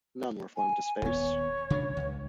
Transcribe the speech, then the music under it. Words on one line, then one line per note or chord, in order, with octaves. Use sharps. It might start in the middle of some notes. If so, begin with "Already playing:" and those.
None were flown to space.
G#5
D#1 B3 C#5
C#3 D4
C#2